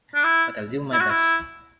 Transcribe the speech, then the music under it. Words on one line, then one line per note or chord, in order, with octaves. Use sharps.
But I’ll do my best.
D4
E4
E4
F#4
E4